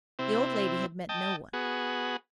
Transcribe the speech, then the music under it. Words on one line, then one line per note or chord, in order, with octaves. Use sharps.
The old lady had met no one.
C3 C4 E4
D#5 G5 A5
B3 F#4 G#4